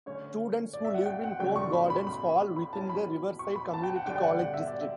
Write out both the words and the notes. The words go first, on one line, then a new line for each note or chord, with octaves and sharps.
Students who live in Home Gardens fall within the Riverside Community College District.
D3 A3 C#4 C#5
D5
E5
F#5
G5
F#5
C#3 F#3 A3 D4 G5
C#6
B5
B5
B5
B5
F#3 C#4 E4 A5
B5
C#6
B5
A5
G5
F#5
D3 G3 D4 G5
G5
F#5
F#5
E5
D5
E5